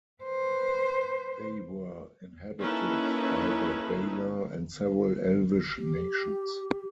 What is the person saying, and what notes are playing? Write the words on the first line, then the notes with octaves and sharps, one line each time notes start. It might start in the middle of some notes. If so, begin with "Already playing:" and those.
They were inhabited by the Valar and several elvish nations.
B4 C5
A#3 C#4 D#4 E4 A4 B4
G4